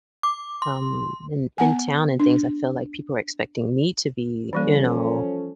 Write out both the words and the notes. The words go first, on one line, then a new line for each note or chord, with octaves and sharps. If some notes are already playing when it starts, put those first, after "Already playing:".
um, in in town and things I feel like people are expecting me to be, you know,
D6
C6
B3 F#5 G#5
D4
E3 F3 G3 A#3 C#4 A4